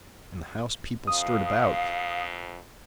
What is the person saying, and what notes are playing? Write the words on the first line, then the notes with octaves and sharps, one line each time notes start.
In the house people stirred about.
F2 F5 D#6